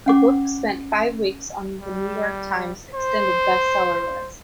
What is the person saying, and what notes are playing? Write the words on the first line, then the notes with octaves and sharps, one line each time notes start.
The book spent five weeks on "The New York Times" extended best-seller list.
C#4 F#5 D6
G3
C5